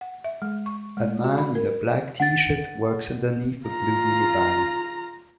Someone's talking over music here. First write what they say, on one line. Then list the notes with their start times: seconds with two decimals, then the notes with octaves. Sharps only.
A man in a black tshirt works underneath a blue minivan.
0.01 F#5
0.24 E5
0.42 G#3
0.66 C#6
0.97 G#3
1.24 F#4
1.38 B5
1.55 A#4
2.20 F#5 A6
3.66 F4 A#5